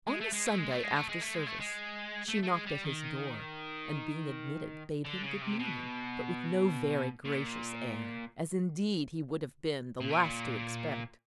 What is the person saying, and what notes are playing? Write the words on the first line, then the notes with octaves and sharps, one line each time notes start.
On the Sunday, after service, she knocked at his door, and, being admitted, bade him good morning, but with no very gracious air--as, indeed, he would have been the last to expect.
G#3
A3
G#3
A3
G#3
A3
G#3
A3
G#3
A3
G#3
A3
G#3
A3
A3
G#3
G3
D#3
D3
C#3
C3
B2
A#2
A#2
B2
A#2